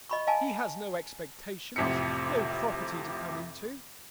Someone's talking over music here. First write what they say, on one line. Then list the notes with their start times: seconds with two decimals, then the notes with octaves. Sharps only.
He has no expectations, no property to come into.
0.10 D#5 B5 C#6
0.27 D#5 F5 G#5 A5
1.76 A1 F2 C3 B6 C#7